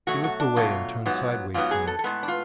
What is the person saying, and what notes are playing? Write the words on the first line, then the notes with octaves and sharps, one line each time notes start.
He looked away and turned sideways to me.
B2 F#3 A3 F#4
F#4
D4
B2 F#3 A3 F4
G#2 F#3 B3
G#2 F#3 B3 F4
G#4
A4
A4
A2 G#3 B3 B4
D4
F4